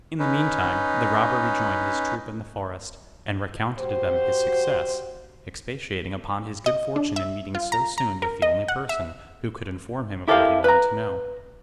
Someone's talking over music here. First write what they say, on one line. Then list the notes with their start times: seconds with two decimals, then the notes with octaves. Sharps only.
In the meantime, the robber rejoined his troop in the forest, and recounted to them his success, expatiating upon his good fortune in meeting so soon with the only person who could inform him of what he wanted to know.
0.19 C#4 D#4 B4
3.78 F#3 F#4 G4 C5
6.66 D#5
6.96 D4
7.16 E5
7.55 F4
7.72 A#5
7.98 A#5
8.22 A#4
8.42 D#5
8.68 F#5
8.89 E5
10.28 E4 G4 A4 A#4 C5 F5
10.64 B4 A#5